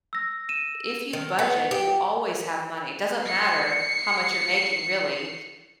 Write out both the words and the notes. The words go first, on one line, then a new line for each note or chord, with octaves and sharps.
if you budget, you always have money- doesn't matter how much you're making really,
E6 A#6
D#7 E7
D#3
B3
G4
C7 C#7